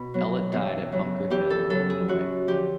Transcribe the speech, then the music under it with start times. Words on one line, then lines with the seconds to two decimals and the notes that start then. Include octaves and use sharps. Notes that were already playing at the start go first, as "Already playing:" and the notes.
Ellet died at Bunker Hill, Illinois.
Already playing: B2
0.14 F#3 B3
0.52 E2
0.92 C#3 F#3
1.30 E2 G4
1.50 A4
1.70 C#3 F#3 A4
1.90 G#4
2.08 F#2 F#4
2.47 D3 F3 G4